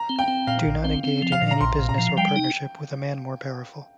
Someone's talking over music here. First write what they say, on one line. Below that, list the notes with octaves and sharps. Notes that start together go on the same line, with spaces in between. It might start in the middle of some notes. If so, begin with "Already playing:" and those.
Do not engage in any business or partnership with a man more powerful!
Already playing: A#5
C4
G5
C4
A#2 F5
A#1
C4
C4
F3
F5
A#2
A#5
A#1 C6
A#2
A#5
F3
G3 G5
D#4